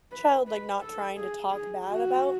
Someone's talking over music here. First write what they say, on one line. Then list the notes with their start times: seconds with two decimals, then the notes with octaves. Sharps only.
child, like, not trying to talk bad about
0.12 B4
0.47 B4
0.81 A4
1.16 G#4
1.51 G#4
1.86 F#4